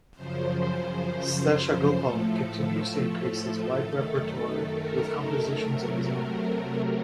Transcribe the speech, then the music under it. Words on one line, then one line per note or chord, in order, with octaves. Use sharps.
Seshagopalan continues to increase his wide repertoire with compositions of his own.
F#2 C#3 F3 C5
A2 F3 A3 A4
F#2 D#3 A3
A#4
C3 F#3 A3